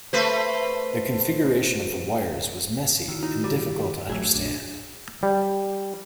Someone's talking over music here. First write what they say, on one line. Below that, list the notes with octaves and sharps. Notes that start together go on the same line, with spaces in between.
The configuration of the wires was messy and difficult to understand.
A3 B4 C5
D#3 E4 F#4
D#4
G3
A1 G2 F#3 A3 F#4 G#4 E5
A#1 D4
G3